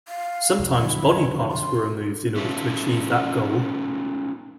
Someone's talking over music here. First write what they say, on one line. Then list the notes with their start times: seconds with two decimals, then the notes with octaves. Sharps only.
Sometimes body parts were removed in order to achieve that goal.
0.08 F5
0.59 C2 F2
0.82 F2 D3 F#3 E4
1.51 C6
2.36 B3 C#4 E4 F4 A4